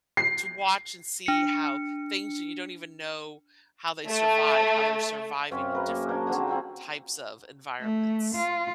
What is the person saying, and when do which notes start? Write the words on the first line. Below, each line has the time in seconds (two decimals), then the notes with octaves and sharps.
to watch and see how things that you don't even know how they survive, how they're surviving in different types of environments.
0.17 C7
1.26 D4 C#7
4.08 A3
5.51 F#2 C4 C#4 F5
5.74 G#4 A#4 B4
5.88 A#3
6.09 A#3 D4 C#5
6.27 D3 F3 F#3 C4
6.48 F3 C4 A#4 G#5
7.80 A3
8.35 F4